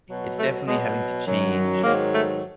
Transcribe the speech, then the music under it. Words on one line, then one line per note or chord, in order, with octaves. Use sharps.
it's definitely having to change,
B2 F#3
A3
B2 F#3 G#3
F#2 D#3 F#3
G#2 D#3 F#3 A#3
A3